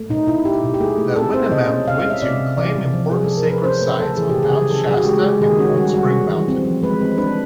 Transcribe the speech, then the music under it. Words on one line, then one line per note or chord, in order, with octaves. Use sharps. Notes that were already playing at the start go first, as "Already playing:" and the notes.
The Winnemem Wintu claim important sacred sites on Mount Shasta and Cold Spring Mountain.
Already playing: A3
B2 D#4
B2 E4
B2 G4
B2
G4
A3 G#4
A3
C4 A4
C4 C5
B2 D#5
C#4
B2 F5
F5
C#4
E5
C3 D5
C3
E3 D5
C3
F3
F3 G#4
F3 A4
A#4
F3 B4
C#4 C5
A3 B4
A3 A4
E3 G#4
G4
C#3
G#4
C#3
F#3 A4
F#3 G#4
F#4
G#3 G4
G#3
D#3 G#4
C#4 F#4
G3 F#4
G3 F#4
C#4
E3
C4
F3
G#3 B4
C4
D4 B4